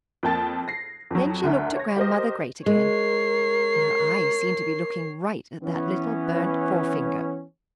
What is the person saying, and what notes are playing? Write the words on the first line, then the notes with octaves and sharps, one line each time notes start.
Then she looked at Grandmother Great again and her eyes seemed to be looking right at that little burnt forefinger.
F2 A#3 G5 A5 A6
A#6 C7
F2 F#3
D2 D3 A#4 E5 A#5
C#5 A#6
G4 A#4 C5 D#5
G#3 A#4 C#5 C7
E3 B3 C#4